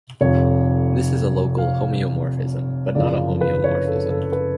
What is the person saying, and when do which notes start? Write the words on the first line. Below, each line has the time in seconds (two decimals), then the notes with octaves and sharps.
This is a local homeomorphism but not a homeomorphism.
0.21 F1 F2 F3 C#5
1.58 F5
2.95 F#1 F#2 C#3 F3 D5
3.41 B4
3.64 C#5
3.87 A4
4.10 A4
4.32 B4